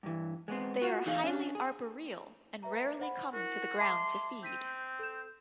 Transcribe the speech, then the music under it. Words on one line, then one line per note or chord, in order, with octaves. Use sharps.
They are highly arboreal and rarely come to the ground to feed.
G2 E3
G#3 B3 C4
F4 F#4
E2 D#4 G#4 F5
C#4 D4
G#4
B4 E5 A#5
C5 F#5 B5
E4 F#4 A#4
E5 A5 C6 D6
C4 G6 B6 D#7
A4 G6 E7